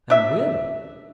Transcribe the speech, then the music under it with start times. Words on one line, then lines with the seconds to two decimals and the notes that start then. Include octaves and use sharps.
"And will?"
0.10 D4 E5